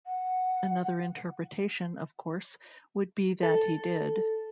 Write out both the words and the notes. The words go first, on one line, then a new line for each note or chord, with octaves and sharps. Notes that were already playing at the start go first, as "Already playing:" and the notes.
Another interpretation, of course, would be that he did.
F#5
A4